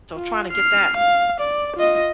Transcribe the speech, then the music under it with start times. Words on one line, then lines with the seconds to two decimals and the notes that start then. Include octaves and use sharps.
So, trying to get that
0.16 F4
0.51 F6 C7
0.97 F5
1.40 D5
1.76 F4 D#5